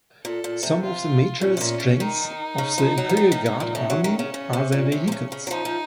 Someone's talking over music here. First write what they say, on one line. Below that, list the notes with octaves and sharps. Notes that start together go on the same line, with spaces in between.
Some of the major strengths of the Imperial Guard army are their vehicles.
A#2 A4
A#2
C3
F4
A#2 C#4
C3
A#2
C#3
D#3 D#4
C#3
F3
F#3
F3
D#3
D#3
C#3
A#2
A2 C#4
F#3
D#3
C#3
C#3
C3
A#2
C3
C3
C#3
C#3
F#3
F3 D#4
F3